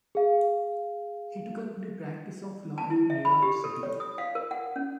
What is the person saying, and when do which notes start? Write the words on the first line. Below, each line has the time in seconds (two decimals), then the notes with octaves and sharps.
He took up the practice of law in New York City.
0.15 G#4 F5
2.78 A5
2.90 E4
3.10 E5
3.25 B5
3.42 G4
3.64 A4
3.83 C#5
4.00 D#6
4.18 F5
4.35 A#4
4.51 F#5
4.76 C#4